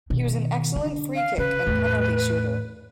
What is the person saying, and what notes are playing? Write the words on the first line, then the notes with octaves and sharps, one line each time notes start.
He was an excellent free kick and penalty shooter.
B2 D#3
D3
F5
C#3 B4
E2 A2